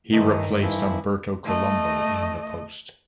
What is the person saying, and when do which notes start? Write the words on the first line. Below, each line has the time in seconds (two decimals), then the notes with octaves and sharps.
He replaced Umberto Colombo in the post.
0.12 G2 D#3 E3 A3 D#4
0.62 E3 F3 E4
1.45 A3 D#5